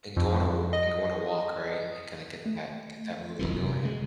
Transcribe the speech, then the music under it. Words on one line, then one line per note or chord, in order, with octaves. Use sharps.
And going to w and going to walk, right? And kinda get that get that moving going?
F2
D#5
A3
D#1 B1 F2 E3
C3
C#3 G#3